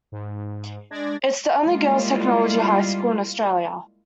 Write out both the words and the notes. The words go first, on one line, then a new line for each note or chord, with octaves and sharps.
It's the only girls Technology high school in Australia.
G#2
G#3 D4 D5 G#6 A#6
G3 G#3 A#3 E4 F4